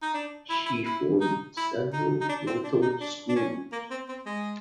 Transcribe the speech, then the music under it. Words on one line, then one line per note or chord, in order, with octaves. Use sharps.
She formed several little schools.
D#4
D4
E4
E4
E4
D#4
E4
D#4
D#4
D4
C4
D4
D#4
D4
D4
C#4
A#3
C4
C4
G#3